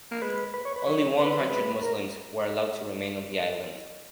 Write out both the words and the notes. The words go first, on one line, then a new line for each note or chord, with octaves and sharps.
Only one hundred Muslims were allowed to remain on the island.
A#3
G#3 B4
B4
C#5
B4
F#3 C#5
B4
F#3
G#3 B4
A#4